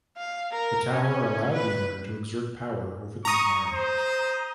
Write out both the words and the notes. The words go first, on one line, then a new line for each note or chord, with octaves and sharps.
The tower allowed the owner to exert power over the environment.
F5
A#4
C#4
B4
A#5 C#6 D#6
C5